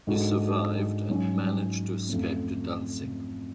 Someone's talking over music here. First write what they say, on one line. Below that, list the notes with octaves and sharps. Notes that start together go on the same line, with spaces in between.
He survived and managed to escape to Danzig.
G#2 G#3 D4 F#4 A4
G#2 F#3 C#4
F2 F3 A3 C#4